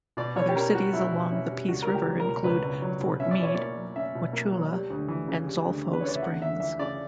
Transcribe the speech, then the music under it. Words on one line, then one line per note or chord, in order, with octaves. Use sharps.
Other cities along the Peace River include Fort Meade, Wauchula and Zolfo Springs.
B2 D5
B2 C#5
G4
C#4 A#4
G3 F#4
B2 E4
B2
C#4 E4
G3
C#2 F#4
C#2 A#4
G4
F#3
A#4
B2
C#2 B4
C#2
F#3
B2
C#4 E5
D5
B2 C#5
A#3 D5
F#3
C#4 E5
B2
A#3
F#3
G3
D2
E3
C#3
G3
D2
E3
B4
C#3 C#5
D5
E5
D2 F#5
D2 E5
E3 E5
C#3 D5